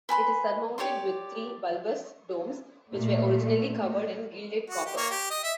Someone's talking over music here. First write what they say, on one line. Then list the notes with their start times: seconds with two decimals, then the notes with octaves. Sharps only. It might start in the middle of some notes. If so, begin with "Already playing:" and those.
It is surmounted with three bulbous domes, which were originally covered in gilded copper.
0.09 B4 G#5 B5 C6
0.78 G4 C#5 D5 C6
2.90 A#2 A3
4.70 F#4
4.86 G4
4.97 A#3 C#5
5.10 G4
5.30 D#5
5.43 E5